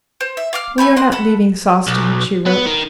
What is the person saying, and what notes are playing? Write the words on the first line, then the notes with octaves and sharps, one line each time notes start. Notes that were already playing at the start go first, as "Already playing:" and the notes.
"We are not leaving Sawston," she wrote.
C5
E5
F5 D6 F6
A3 G#5 B5 G6
D#5 F#5 C6
A4 F#5 B5
B1
B3
D#3